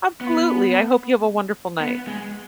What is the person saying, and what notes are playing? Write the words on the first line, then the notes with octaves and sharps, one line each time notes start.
Absolutely. I hope you have a wonderful night.
B3
B3
G#3